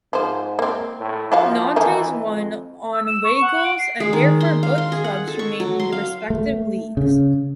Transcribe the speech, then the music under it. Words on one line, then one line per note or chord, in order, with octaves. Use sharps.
Nantes won on away goals and therefore both clubs remained in their respective leagues.
G#2 F3 C5
A#3 C4
A2
F3 E4 F#4 F5
D#3 E3 D#4 G#5
F2
E6
E7
C#6
F#5
D7
C7
G#3
D#3
C6
F5
C6
G#4
F#5
A4
C#6
F#3
C6
F5
A3
C#3